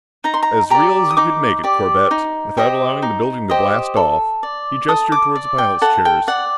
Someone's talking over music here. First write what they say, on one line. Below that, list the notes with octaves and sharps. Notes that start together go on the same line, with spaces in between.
"As real as we can make it, Corbett, without allowing the building to blast off." He gestured toward the pilot's chairs.
D#4 A#5
C6
A#5
G4 D5 A#5
D#6
D#4 D6
G4 D5
D#4
G4 C5 D#5
D#4
G4 C5 D#5
A4
D5
A4 D#6
D6
D5
G5
A4 F#5
G5
D5 F#5